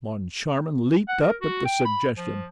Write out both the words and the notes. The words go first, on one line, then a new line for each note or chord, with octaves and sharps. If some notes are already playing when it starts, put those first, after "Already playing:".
Moncharmin leaped up at the suggestion.
F#5
A#4
F#4
G5
B5
F3